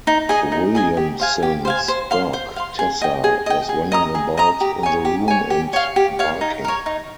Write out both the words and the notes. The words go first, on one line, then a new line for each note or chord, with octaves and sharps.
Williamson's dog, Tessa, was running about in the room and barking.
D#4
G#4 D#5 G#5
D#4
G#4 D#5 G#5
G4
C5 F5 G#5
G4
C5 F5 G#5
C5
F5 C6
C5
F5 C6
G#4
D#5 G5
G#4
D#5 G5
G#4
D#5 A#5 D#6
G#4
D#5 A#5 D#6
G4
C#5 G#5
G4
C#5 G#5
G4
C#5 F5
G4
C#5 F5
D#4
A#4 C#5
D#4